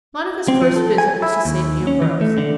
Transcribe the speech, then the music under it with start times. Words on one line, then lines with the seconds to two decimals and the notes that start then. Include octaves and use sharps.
Monica's first visit was to St. Ambrose.
0.48 C4
0.62 F3
0.76 A4
0.98 G#5
1.22 E4
1.45 D#2
1.87 C#4
2.02 E3
2.21 A3
2.38 D3